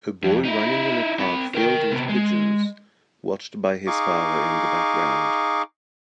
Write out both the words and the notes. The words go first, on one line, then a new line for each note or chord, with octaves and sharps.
A boy running in a park filled with pigeons, watched by his father in the background.
F2
D#4 E4
C4 B5
A#4 G5
C3 B3
G#3
D#4 G#4 F5 C#6 D6